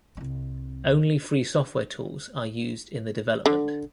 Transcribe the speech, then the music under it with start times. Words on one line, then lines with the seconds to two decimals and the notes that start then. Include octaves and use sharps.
Only free software tools are used in the development.
0.17 C2 C4
3.46 D3